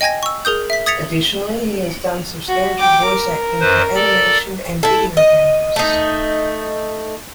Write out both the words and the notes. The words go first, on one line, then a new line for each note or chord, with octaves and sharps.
Additionally, he has done substantial voice acting for animation and video games.
D#5 G5 G#5 G#6 A#6
C#6 E6
G#4 A#4 D#6 G6
E5 B6
D#6 G#6 A6 B6 C#7 F7
F#4
G5 D6
A#4
F#2 B4 C5
A4 D5
E4 A4
D#5
A3 D#4